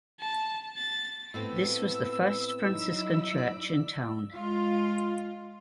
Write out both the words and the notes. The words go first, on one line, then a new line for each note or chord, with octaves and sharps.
This was the first Franciscan church in town.
A5
A6
A2 B3 C4 E6
F#3 D#4 E4
D5
G#3 F4